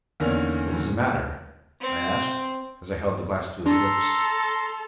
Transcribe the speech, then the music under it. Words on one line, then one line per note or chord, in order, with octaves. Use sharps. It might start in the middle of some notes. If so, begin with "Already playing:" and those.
"What was the matter?" I asked, as I held the glass to his lips.
E2 D3 D#3 A#3 C#4
C4
D4 A4 A#5 C6